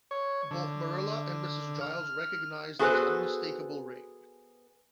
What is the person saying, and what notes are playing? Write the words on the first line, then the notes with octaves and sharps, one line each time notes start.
Both Marilla and Mrs. Giles recognized its unmistakable ring.
C#5
D3
F6
B3 F#4 G#4 A4 B4 C5